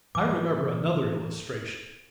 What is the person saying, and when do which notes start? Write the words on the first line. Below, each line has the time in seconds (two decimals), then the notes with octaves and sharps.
I remember another illustration.
0.15 G#2 E3 F#3 D6